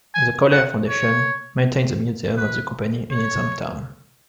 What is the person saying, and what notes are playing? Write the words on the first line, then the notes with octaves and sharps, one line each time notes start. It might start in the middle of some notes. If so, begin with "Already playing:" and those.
The CallAir Foundation maintains a museum of the company in its hometown.
G#5
F#5
C#5
B4
C#5